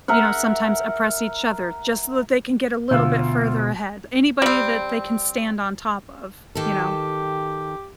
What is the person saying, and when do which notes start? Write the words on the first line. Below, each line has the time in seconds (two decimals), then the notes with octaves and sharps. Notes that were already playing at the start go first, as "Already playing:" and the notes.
you know, sometimes oppress each other just so that they can get a little bit further ahead. Anybody that they can stand on top of, you know,
0.08 A#4 E5 F#5
2.91 D2 B2 F4 E6
4.42 G3 C4
6.55 D#3 G4 A4